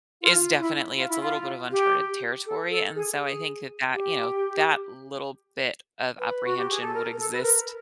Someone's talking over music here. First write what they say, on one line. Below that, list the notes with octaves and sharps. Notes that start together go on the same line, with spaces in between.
is definitely it's a little bit of uncharted territory, and, so, I think that that you know, that little bit of apprehension would exist,
F4
E4
F4
E4
F4
G4
A4
A4
G#4
G#4
G4
B4
F#4
G4
G#4
A4
A#4
A#4
A4
B4
A#4